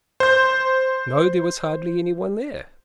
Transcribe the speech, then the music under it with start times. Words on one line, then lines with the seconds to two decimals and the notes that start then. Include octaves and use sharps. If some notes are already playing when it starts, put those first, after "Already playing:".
No, there was hardly any one there.
0.20 C5 G6